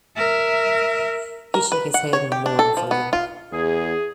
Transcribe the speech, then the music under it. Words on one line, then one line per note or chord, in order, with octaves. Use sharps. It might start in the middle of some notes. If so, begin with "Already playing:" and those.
He shook his head mournfully.
A#4 E5
A#4
B4
F#5
C#5
G4
D4
A4
F3
B3
F4
E2 G#4